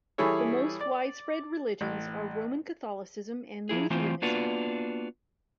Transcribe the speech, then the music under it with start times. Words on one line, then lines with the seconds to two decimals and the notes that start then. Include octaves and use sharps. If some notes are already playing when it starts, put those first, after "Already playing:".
The most widespread religions are Roman Catholicism and Lutheranism.
0.18 E3 G3 E4 G#4 A4 C#5
0.81 D5
1.81 A1
3.69 F3 E4 G#4
3.90 E3 A3 C4 F4 C5
4.22 A#3 B3 D4 F4 F#4 B4